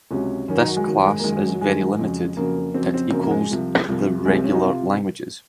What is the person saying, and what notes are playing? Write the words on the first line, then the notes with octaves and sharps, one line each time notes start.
This class is very limited; it equals the regular languages.
C#2 C3 F#3 C#4
F#2 D#3 F#3 C#4
D#4
F#4
G#3
F#2 D#3 F#3
F#3
G#3
A#3
F#2 D#3 F#3 G#3
G#3
F#3
F#2 D#3 F#3 G#3
F2 C#3 F#3
F2 C#3 F#3 A#3
F2 C#3 F#3 C4
C4
F2 C#3 F#3 A#3
A#3
G#3
C2 C3 F3
C2 C3 F3
C2 C3 F3 G#3
C4
C#4
D#4
C3 F4